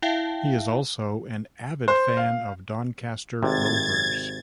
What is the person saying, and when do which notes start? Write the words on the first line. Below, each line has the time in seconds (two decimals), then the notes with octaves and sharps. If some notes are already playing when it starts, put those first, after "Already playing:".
He is also an avid fan of Doncaster Rovers.
0.02 E4 E5 F5 G5 A5
1.88 C5
2.17 F5
3.43 G#1 C3 G#6 A6